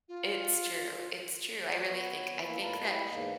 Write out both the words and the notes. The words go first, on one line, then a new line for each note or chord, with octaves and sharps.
It's true, it's true. I really think I think that
F4
D5
B3 C#5
E3 A#3 E4 B4
A2 F4 B4 A5 A#5
E4 G4 D#5
E2 G#2 A#3